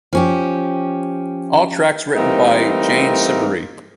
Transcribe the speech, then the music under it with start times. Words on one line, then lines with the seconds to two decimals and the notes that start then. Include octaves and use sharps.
All tracks written by Jane Siberry.
0.13 F3 C#4 G4
2.15 E3 G3 A3 A#3 C4 D#4